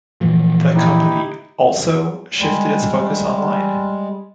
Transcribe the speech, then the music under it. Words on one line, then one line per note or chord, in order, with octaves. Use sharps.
The company also shifted its focus online.
A#2 E3 F3
D#4 E4 G4
G3 G#3